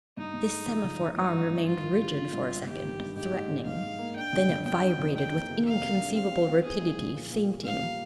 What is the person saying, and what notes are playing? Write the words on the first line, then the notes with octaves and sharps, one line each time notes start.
This semaphore arm remained rigid for a second, threatening; then it vibrated with inconceivable rapidity, feinting.
G2 D#4
G2
G#3
F3
F3
F3
G2 D#4
G#1
G2
G#1 F4
G#1
D3
D#3
G2
G#1
G2 G4
D#3
G2
G#2 G4
G#2
G#2
G#2 F5
G#2
A#3
D4 G5
F2
F2
F2 G5
D4
F2
D#3 G5
A#3
C3
A#3 F5
C3
D4
C4 F5
C4
C4
C4 G#4
C2
F3
A#2
A#2
A#2
G3 F5
A#3